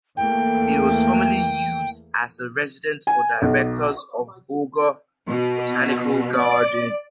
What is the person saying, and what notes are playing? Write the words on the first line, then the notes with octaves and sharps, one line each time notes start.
It was formerly used as a residence for directors of Bogor Botanical Garden.
E2 A3 A#3 G5
G#5
B1
B2
D5